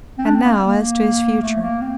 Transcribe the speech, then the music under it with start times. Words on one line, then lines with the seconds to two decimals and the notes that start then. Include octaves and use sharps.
And now as to his future.
0.18 C4
0.25 D4
0.35 C4
0.44 A#3
0.64 A#3
1.42 A3
1.62 A#3
1.81 C4